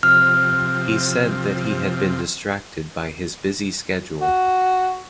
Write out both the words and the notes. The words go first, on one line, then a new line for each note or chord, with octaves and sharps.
He said that he had been distracted by his busy schedule.
C3 F3 F6
F#4